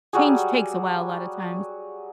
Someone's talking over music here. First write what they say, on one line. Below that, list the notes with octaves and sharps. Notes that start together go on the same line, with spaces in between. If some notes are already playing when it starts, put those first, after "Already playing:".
change takes a while, a lot of times.
F#3 G3 F#4 G#4